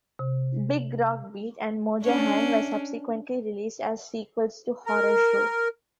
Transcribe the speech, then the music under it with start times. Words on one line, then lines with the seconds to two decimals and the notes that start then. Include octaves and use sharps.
"Big Rock Beat" and "Mojo Hand" were subsequently released as sequels to "Horror Show".
0.19 C3
2.03 C#4 D4
4.86 A#4